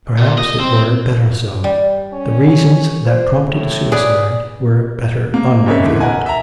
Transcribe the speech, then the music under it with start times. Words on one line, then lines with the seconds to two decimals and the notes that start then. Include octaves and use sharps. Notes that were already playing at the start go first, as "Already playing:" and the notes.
Perhaps it were better so; the reasons that prompted suicide were better unrevealed....
0.18 A#2
0.38 D#5
0.60 C4
1.64 G3
2.13 C#4
3.06 C5
3.47 A2
3.92 G#4 B4 D5
5.34 A#3
5.66 C#3 G#3 A#3 C4 C#5 E5
5.83 E2 D3 E4
6.00 A#4 B4 D#5 F#5 G#5
6.26 E5 A#5